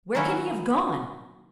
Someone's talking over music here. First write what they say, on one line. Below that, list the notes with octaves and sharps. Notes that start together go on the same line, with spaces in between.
Where can he have gone?
D#3 F#3 A#3 C#4 E4 F#4